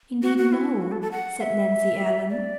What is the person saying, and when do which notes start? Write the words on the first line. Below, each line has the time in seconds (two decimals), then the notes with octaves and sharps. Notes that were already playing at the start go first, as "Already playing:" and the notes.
"Indeed, no!" said Nancy Ellen.
0.23 F#4
0.38 F#4
0.52 E4
0.82 F#4
0.92 A4
1.02 A4
1.12 F#5
1.41 E5
2.30 D5